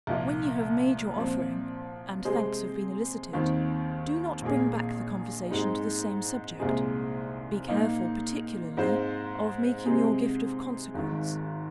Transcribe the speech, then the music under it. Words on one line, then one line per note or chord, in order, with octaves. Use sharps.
When you have made your offering, and thanks have been elicited, do not bring back the conversation to the same subject; be careful, particularly, of making your gift of consequence.
C2 A#2 F3 A#3
A#2 F3 C4
C3 G#3 C4 G#4 C5
D#2 D#3 C4
A#1 A#2 A#3 G#4
G#2 G#3 C4 D#4
C2 A#2 G#3 C4 G#4
A#2 A#3 D#4
G#2 G#3 C4 F4 C5
C3 G#3 C4 G#4
G#1 G#2 D#3